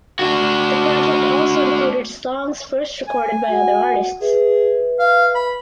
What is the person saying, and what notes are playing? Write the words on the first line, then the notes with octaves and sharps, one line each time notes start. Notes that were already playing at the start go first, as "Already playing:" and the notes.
The project also included songs first recorded by other artists.
D4 F#4
G#5
F#4 F#5
G#4 B4 E5
F5
B5